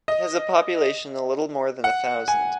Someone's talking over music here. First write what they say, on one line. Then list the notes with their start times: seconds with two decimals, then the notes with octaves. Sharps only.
It has a population a little more than a thousand.
0.08 D#5
1.84 F#5
2.28 G#5